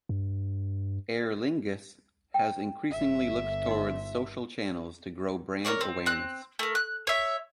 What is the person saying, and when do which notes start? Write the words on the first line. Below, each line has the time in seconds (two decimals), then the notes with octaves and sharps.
Aer Lingus has increasingly looked towards social channels to grow brand awareness.
0.09 G2
2.34 G5
2.91 G1 E5
3.68 D#4 C6
5.65 A#4 B4 C#5 D5
5.81 C4
6.06 C4 F#6
6.59 A3 A#4
6.75 F#6
7.07 C#5 E5